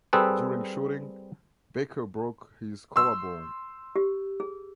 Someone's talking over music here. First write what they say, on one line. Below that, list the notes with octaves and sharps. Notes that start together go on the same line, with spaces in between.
During shooting, Baker broke his collarbone.
G3 C4 G#4 A4 B4
C6 C#6 E6
G4
G#4